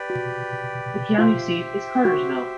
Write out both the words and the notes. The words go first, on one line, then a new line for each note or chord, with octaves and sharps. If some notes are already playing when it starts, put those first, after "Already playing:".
The county seat is Cartersville.
Already playing: G4 B4 D5 G5
F#4
F4 G4 C5 E5 G5
F#4